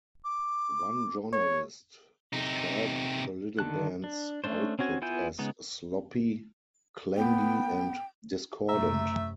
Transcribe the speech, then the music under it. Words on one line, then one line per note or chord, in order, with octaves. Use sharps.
One journalist described the little bands' output as sloppy, clangy and discordant.
D6
C#5
C3 D#4
D3 D#3 A5 F#6
D4
A3 C#4 D4 C5
C4 C#4 F#4 G#5
B3 E4 F4 G#5 G6
C#3 G#3 B3 D#4
B3 G5
F#2 C3 A3 E5 A#5